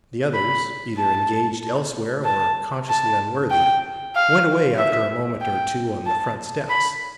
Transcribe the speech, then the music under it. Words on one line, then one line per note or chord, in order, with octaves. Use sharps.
The others--either engaged elsewhere or consciously unworthy--went away after a moment or two on the front steps.
B5
A5
A5
A5
G5
F5
E5
G5
A5
B5